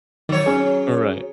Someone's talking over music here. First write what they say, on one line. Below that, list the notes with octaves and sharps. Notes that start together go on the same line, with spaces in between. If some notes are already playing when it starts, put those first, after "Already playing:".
Eh right.
D#3 F#3 C#5
C#4 G#4